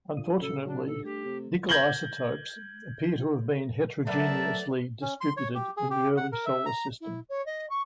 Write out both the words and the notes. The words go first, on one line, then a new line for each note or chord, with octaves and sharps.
Unfortunately, nickel isotopes appear to have been heterogeneously distributed in the early solar system.
D4 F4 D#6
F#2 A#2 C#3 A4
F#3 D4
G2 A4
A3 G4
C3
G6 G#6 A#6 F#7 G7
F#3 A3 B3 A#4 D5 E5 A5
C#4
C6
C#5
G4
G#4
G4
F#5
A#4
E5
A#5
E4
C#5
D#5
C#6